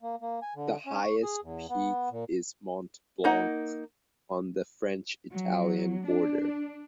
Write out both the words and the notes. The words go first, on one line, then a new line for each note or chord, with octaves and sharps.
The highest peak is Mont Blanc, on the French-Italian border.
A#3
A#3
G#5
D3
C#4
C#6
G#4
E2
B3
A#2
A#3 D#4 F#5
F#3
D4